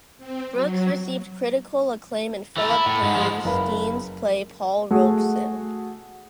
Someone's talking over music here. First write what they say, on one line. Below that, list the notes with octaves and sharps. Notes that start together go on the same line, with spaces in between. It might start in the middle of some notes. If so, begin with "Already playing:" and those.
Brooks received critical acclaim in Phillip Hayes Dean's play "Paul Robeson".
C4
F#3
E3 A3
E4
A2
G#2
F3 G#3
F#1 A#4 B4 F5 B5
A3 F#4 G#4